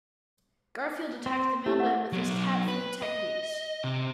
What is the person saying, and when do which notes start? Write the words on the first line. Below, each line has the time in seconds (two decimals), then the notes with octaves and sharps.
Garfield attacked the mailman with his "Cat Fu" techniques.
1.26 C4
1.66 A3 E4 G4
1.80 F#5
2.13 F#3 B3
2.68 B4
3.02 D#5
3.84 C3